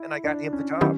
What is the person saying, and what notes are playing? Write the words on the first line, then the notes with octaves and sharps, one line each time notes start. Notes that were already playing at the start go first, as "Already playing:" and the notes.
and I got him the job.
Already playing: E4
D4
C#4
D#3 F#3 B3 C#4 E4 G4